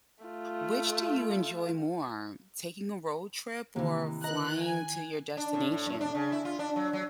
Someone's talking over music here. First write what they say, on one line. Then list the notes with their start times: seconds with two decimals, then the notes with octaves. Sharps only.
which do you enjoy more? Taking a road trip, or flying to your destination?
0.24 A3 F4
3.76 C3 D#3 E3 A#3 E4
4.24 A#4 B4 D#5 A#5 F#6
4.60 G#5
5.37 D4
5.54 A2
5.72 A2
5.86 F#2
6.01 D4
6.15 C#3
6.32 E4
6.45 F4
6.59 D4
6.76 F#3
6.93 F#3